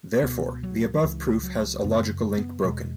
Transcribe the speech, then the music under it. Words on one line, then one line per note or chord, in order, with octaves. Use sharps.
Therefore the above proof has a logical link broken.
C#2 B2 B3
F#3
F#3
C#2 C#3 E3
F#3
F#2 C#3 B3
B3
E2 B2 G#3